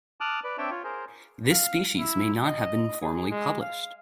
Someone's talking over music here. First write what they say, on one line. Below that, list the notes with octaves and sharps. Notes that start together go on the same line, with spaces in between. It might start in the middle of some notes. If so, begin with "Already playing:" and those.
This species may not have been formally published.
A5 D6 D#6 F6 F#6
B4 D5
C4 D4 C#5 E5 G5 A5
F4 C#5
G#4 A#4 C5
F5
E4
D#5
G#4
G#3
F5